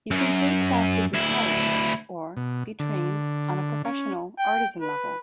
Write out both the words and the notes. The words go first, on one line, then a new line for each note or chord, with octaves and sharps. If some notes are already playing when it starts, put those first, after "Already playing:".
You can take classes in pottery or be trained on a professional artisan level.
F#2
D2 E4
B2
D3
C#4
G5
B4